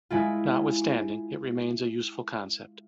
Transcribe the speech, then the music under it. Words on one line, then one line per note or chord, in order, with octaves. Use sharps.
Notwithstanding, it remains a useful concept.
G#3 E4 F4